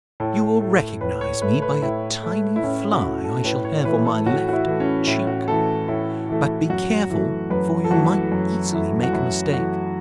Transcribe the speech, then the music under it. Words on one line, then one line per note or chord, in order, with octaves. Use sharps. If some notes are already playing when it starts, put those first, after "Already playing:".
'You will recognise me by a tiny fly I shall have on my left cheek, but be careful for you might easily make a mistake.'
A2 A4
A3
A2 B4
C#5
A3 B4
B4
A2 E4
A3
E4
A2 C#4
F#4
A3 E4
A4
A2 B4
C#5
E3 A3 B4
A4
A2 F#4
F#4
E4
E3 A3
C#4
A2 E4
F#4
E3 A3 A4
A2 E4
E3 A3
F#2 F#4
E3 A3
F#2 B4
A4
E3 A3 F#4
F#2
E3 A3
F#4
F#2 E4
E3 A3 F#4